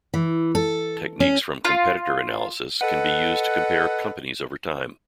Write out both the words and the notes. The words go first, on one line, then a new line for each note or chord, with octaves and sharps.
Techniques from competitor analysis can be used to compare companies over time.
E3
A4
C#4
F4
A4 B4 D#5 F#5